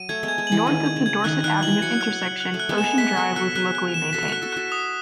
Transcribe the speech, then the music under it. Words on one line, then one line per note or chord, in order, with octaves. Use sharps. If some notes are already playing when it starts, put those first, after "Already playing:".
North of the Dorset Avenue intersection, Ocean Drive was locally maintained.
Already playing: F#3 D#7
A3 G#6
G#3 B3
G#6
G#3
E3 F#7
D#3 D#7
G#6
C#3
G#6
D#3 F#6
D#3 F#6
E3 F#7
F#3 C#7
F#6
F#6
F#6
A3
F#6
G#3 B3
E7
A3
G#3 B3 B6
F#4 A4 F#6
F#4 A4 F#6
G#4 B4 F#6
F#6
E7
F#4 A4 B6
F#4 A4 F#6
F#4 A4
F#4 A4 F#6
D#6